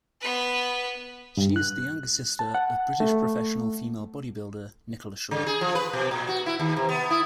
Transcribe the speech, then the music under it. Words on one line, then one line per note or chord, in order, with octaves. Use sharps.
She is the younger sister of British professional female bodybuilder Nicola Shaw.
B3 B4
G2
F#6
A5
F#5
A3
C#3
G#4
F3
B4
B2
A#2
F#4
E4
D#2
C3
B3
E4